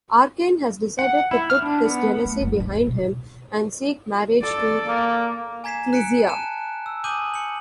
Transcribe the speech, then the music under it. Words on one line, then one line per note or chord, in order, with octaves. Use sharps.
Arcane has decided to put his jealousy behind him and seek marriage to Clizia.
F#5
E4
F6
D4
B3
A3
F#1 E4
C#2 G#2
E3 A#3
B2
A4 D5
A#3
G#5 A#5 G#6 B6 C7 E7
F#6 B6 C#7 D7
A5 F#6 E7
E6
G#5 D6 D#6 G6 D#7 F#7
C#7 F#7